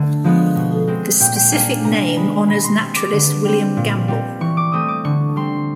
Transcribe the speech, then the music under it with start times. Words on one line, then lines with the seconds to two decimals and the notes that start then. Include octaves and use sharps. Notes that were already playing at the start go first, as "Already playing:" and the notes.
The specific name honors naturalist William Gambel.
Already playing: D3 A3
0.24 F3 G#3 B3
0.56 B2
0.87 G#3 C4
1.20 A#2 G5
1.36 G5
1.52 G3 A#3 D4 G#5
1.84 C3 A#5
2.16 D#3 G#3 B5
2.48 B2 B5
2.64 C6
2.81 G#3 C4
2.96 D6
3.12 D3
3.44 G3 C4
3.77 A#2
4.08 G3 C4
4.40 E3 C#6
4.57 D6
4.72 A3 C4 D#6
4.88 D6
5.04 D3 C#6
5.36 G3 C4 C6